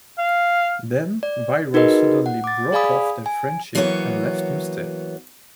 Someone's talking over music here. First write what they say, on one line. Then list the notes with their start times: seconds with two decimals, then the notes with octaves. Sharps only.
Then Byron suddenly broke off their friendship and left Newstead.
0.18 F5
1.23 D5
1.74 D#4 F#4 G#4 A#4 B4 D#5
2.26 F#5
2.44 D6 A6
2.72 G#4 D5 F5 G#5 B5 D#6
3.26 G#5
3.75 E3 F#3 A#3 B3 A#4 C#5